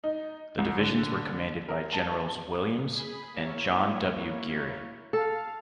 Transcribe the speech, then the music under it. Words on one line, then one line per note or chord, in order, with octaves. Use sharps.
The divisions were commanded by Generals Williams and John W. Geary.
D#4
C2
D3
A#4
A5
G#4 B5
A#3 E4 C#5
A4 F5